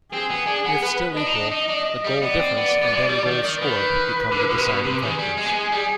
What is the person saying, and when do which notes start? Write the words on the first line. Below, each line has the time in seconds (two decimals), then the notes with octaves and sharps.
If still equal, the goal difference and then goals scored become the deciding factors.
0.13 C4 G#4
0.30 B3
0.47 D4
0.65 B3
0.82 B3 B4
1.17 D4 D#5
1.27 D#4
1.35 D4
1.52 D#4
1.70 D4
2.05 G3
2.21 B3 D5
2.39 C4
2.57 B3
2.82 B3
2.92 G#3
3.10 G3
3.27 D#3
3.45 D#3
3.61 D#3 B4
4.32 D3
4.49 B2
4.58 C3
4.66 B2
4.84 C3
5.01 D#3 G#4
5.19 G3
5.37 G#3
5.46 B3
5.54 G#3
5.72 G3